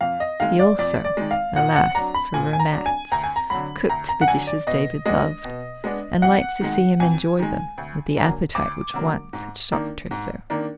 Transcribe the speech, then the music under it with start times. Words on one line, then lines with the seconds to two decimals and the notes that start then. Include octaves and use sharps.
She also--alas, for romance!--cooked the dishes David loved, and liked to see him enjoy them with the appetite which once had shocked her so.
0.01 F2 F5
0.20 D#5
0.40 D#3 G#3 F5
0.59 D5
0.79 F2 D5
1.05 D5
1.17 D#3 G#3
1.31 F5
1.56 A#2 F#5
1.76 F#5
1.95 F#3 D4 A#5
2.14 B5
2.34 A#2 G#5
2.53 G#5
2.60 A#5
2.73 F#3 D4
2.86 G#5
3.12 D2 A#5
3.24 G#5
3.36 A#5
3.50 D3 F#3 B5
3.89 D2 A#5
4.09 A#5
4.21 F#5
4.28 D3 F#3 G#5
4.47 D5
4.67 B2 D#5
5.06 G#3 B3 D4 D#5
5.45 B2
5.84 G#3 B3 D4
6.22 F2 F#5
6.61 D#3 G#3
7.00 F2 G#5
7.39 D#3 G#3
7.78 D2
8.16 D3 F#3 A#3
8.55 D2 D6
8.94 D3 F#3 A#3
9.33 G#2
9.72 D#3 A#3 D4
10.11 G#2
10.50 D#3 A#3 D4